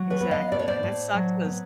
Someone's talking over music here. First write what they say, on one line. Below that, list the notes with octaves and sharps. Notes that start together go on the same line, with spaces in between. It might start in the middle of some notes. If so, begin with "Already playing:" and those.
Exactly, and it sucks 'cause
Already playing: F#3
B4 C#5
B3
D#5 F5
A2 D5
C#5
C5 D5
A2
F#3
B3